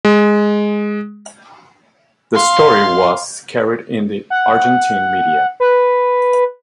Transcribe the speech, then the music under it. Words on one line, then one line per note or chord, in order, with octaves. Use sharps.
The story was carried in the Argentine media.
G#3
F5 C6
F#5
B4